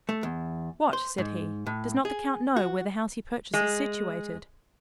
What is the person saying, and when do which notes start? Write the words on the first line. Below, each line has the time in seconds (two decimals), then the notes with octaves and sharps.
"What!" said he, "does not the count know where the house he purchases is situated?"
0.09 A3
0.23 E2
0.93 C5
1.18 G#2
1.66 A2
2.05 G#4
2.56 F#4
3.54 G#3